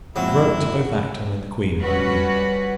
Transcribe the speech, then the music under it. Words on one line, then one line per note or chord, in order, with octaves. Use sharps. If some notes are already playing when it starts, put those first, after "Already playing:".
I have wrote to both Acton and the Queen about you.
F#1 F3 F#3 G#3 C4 E4
G3 C#4 F#4 B4